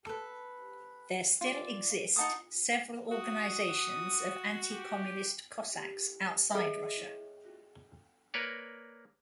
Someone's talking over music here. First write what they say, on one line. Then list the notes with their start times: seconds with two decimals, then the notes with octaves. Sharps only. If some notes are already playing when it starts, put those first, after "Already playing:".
There still exist several Organisations of Anti-communist Cossacks Outside Russia.
0.06 A4 B4
1.41 F4 D5
2.16 D#4 F#5 A5 D#6
3.11 F#4 D#6
3.68 F#4
4.72 G4
6.51 G#4 D#5 E5
8.34 A#3 A#4 B4 C#5 D5